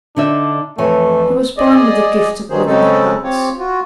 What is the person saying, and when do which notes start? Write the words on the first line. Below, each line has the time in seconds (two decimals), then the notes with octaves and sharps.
He was born with the gift of winning hearts.
0.16 D3 D4 D#4 E5
0.78 F2 E3 A3 C#5 G#5
1.58 G#4 D5 D#5
2.50 G2 D#3 F#3 A#3 G#4 C5
2.67 C#3 G#3 C4 C#4 D#4 A4
3.24 C4 F4 G4 C#5
3.59 F4 F#4